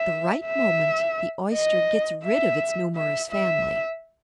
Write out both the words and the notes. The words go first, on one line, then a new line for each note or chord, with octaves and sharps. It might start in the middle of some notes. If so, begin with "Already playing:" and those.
At the right moment, the Oyster gets rid of its numerous family.
Already playing: E5
E5
D#5
E5
E5
E5